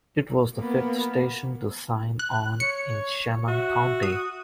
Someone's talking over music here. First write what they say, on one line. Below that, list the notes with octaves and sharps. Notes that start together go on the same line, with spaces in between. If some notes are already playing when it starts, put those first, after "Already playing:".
It was the fifth station to sign on in Chemung County.
A#3 B3
F#6
C#5 C#7
F#4 E5
D#6